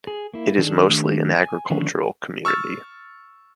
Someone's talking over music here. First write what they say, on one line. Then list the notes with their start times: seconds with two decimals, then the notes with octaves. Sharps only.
It is mostly an agricultural community.
0.07 G#4
0.34 A#3 E4
0.58 D#3 G#3 A#3 D4 G#4 A4
0.89 D#3 A3 D4 G4
1.39 G#5
1.70 D3 D#3 F3 A3 C#4 D4
2.45 C#6 E6 F6 A6